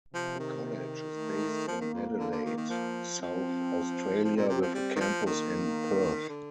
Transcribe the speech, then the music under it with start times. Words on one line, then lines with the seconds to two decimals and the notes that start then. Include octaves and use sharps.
The college is based in Adelaide, South Australia with a campus in Perth.
0.14 C3 F3
0.40 D#3
1.17 A3
1.67 F3 A#3
1.81 D#3
1.93 F2
2.19 D3
2.31 D3
2.45 D#3
2.57 D#3
2.70 F3
3.21 F3 C4
4.23 F3 C4
4.36 A#2
4.49 C3
4.62 F3
4.74 G3
4.96 D#3
5.00 F3
5.26 D#3 A#3
6.29 D3